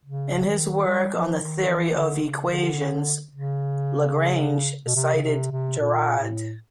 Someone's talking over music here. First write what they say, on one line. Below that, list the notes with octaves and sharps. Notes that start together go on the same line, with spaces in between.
In his work on the theory of equations, Lagrange cited Girard.
C#3
D#3
G3
F3
D#3
E3
D3
C#3
D3
C#3
B2
C3
C#3
C3
C3
A#2
A2